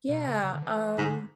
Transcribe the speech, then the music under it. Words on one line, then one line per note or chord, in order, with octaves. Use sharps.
Yeah, um,
B2
C#3
C#3
D3
E3
G#2 D3